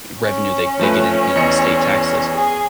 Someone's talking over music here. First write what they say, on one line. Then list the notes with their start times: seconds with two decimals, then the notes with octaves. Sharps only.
revenue they they get in in state taxes,
0.20 C#4
0.79 F3 A3 B4
1.36 E2 D#5 C#7
2.35 G#4 G#5